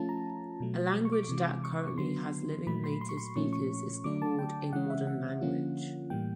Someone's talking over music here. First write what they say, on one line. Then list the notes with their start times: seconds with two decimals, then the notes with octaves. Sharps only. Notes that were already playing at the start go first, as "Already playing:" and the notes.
A language that currently has living native speakers is called a modern language.
Already playing: F3 A3 C#4 F4 A5
0.09 A#5
0.60 B2 F#3 A3
1.05 C#6
1.12 D6
1.29 C3 E3 G#3
1.64 C#6
1.88 C#6
1.98 D3 F#3 B3 C6
2.66 A#2 F#3 A3 B5
2.84 C6
3.01 C6
3.09 C#6
3.17 C6
3.36 A#2 F3 A3 C#4 C#6
3.53 C#6
4.04 D3 F#3 A3 D4 D6
4.22 A5
4.39 G5
4.73 C#3 E3 G#3 C#4 F#5
4.90 E5
5.07 F#5
5.41 D3 F3 A#3 C#4 F4
6.10 A2 E3 G3 A#3 G5